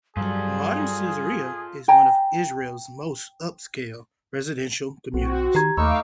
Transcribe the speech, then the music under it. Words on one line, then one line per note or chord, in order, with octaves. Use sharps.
Modern Caesarea is one of Israel's most upscale residential communities.
G2 F#3 G3 F4 G#4 A4
G5 G#5 A#5
B1 C4 F#4
D#3 G4 A#5 G#6
D#2 A3 D#4 F5 B5 C#6 D6 E6